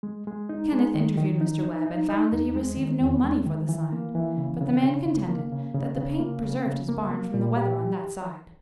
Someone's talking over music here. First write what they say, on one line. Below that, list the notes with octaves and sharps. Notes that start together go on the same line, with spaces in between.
Kenneth interviewed Mr. Webb and found that he received no money for the sign; but the man contended that the paint preserved his barn from the weather on that side.
G#3
G#3
D#4
G#3
D#3
D#3
D#4
D#4
D#4
D#4
E2
G#3
D#3
E2
G#3
D#3
E3
A#3
E3
C#3
C#3
C#3
C#3
A#3
C#3
C#3
C#3
A#3
C#3
C#3
A#3
A#3
A#2
G4